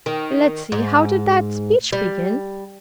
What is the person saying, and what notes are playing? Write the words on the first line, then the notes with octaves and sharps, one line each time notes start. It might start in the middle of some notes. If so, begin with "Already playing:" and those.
Let's see--how did that speech begin?
D#3
G#2
G3